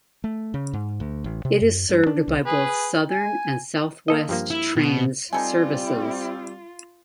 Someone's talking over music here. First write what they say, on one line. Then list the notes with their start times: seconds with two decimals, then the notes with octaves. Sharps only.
It is served by both Southern and South West Trains services.
0.24 A3
0.54 C#3
0.73 G#2
1.00 D2
1.24 A1
1.45 C3
1.62 F#2
1.89 G2
2.06 D4
2.28 C2
2.46 G#4 B4
3.09 G#5
4.08 A#3 A4 D#5
4.29 G2 F3 A#3
4.51 E4
4.76 B2
5.33 G3 C4 D#4 F4 A4 G#5